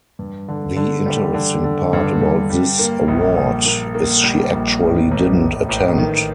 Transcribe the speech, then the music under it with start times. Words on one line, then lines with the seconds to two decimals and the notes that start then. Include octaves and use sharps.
The interesting part about this award is she actually didn't attend.
0.19 G2
0.48 D3
0.76 D3
1.06 G3
1.34 D3
1.64 D3
1.93 G2
2.21 G2
2.50 G3
2.79 A#3
3.08 A#1
3.36 A#1
3.66 A#3
3.95 A#3
4.24 G3
4.52 A#1
4.82 A1
5.11 A1
5.40 A1
5.69 A1
5.98 D#3